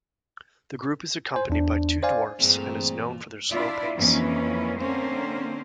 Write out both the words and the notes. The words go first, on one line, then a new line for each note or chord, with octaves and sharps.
The group is accompanied by two dwarfs and is known for their slow pace.
C5 G#5
E2 D4
C5 D5 F5 G#5
G2 A#2 E3 A3 C4 G#4
D4 E4 F4 D5 E5
F2 D#3 E3 A#3 C#4 B4
D3 A#3 C4 C#4 C5